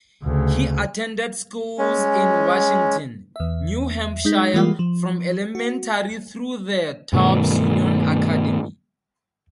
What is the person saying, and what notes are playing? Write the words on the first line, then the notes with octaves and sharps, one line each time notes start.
He attended schools in Washington, New Hampshire, from elementary through the Tubbs Union Academy.
D2 C#3
G#3 C#4
E2 E5
G#3 D#4 G6 B6
E3 G3 G#3 A#3 F4
F3
F#4
G2 B2 D#3 A3